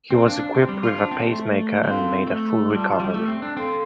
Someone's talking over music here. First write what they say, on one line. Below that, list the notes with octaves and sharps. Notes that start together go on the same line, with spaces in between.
He was equipped with a pace maker and made a full recovery.
C4 C5 F5 A5
D4
D4
C4
G3
F4
D4 C5 A5 C6
C4
A3
C4 F4 A4 F5 C6
A3
G3 F4 D5 A5 C6
G3
A3
C4
D4
C4 A4 F5 C6